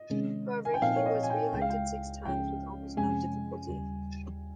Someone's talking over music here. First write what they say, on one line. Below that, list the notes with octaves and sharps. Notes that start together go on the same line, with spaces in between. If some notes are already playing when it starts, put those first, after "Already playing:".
However, he was reelected six times with almost no difficulty.
Already playing: D#5
C3 D#3 G#3 C#4
G#5
G5
A#2 F3 C4 D#4 A#4 F5
C#5
D#5
G#5
G5
C#2 C#3 G#3 G5
F5
G5
C#2 C#3 F3 G#3 C#4 G5
F2 C3 F3 G#3 C#4 G#5
D#2 C#3 G3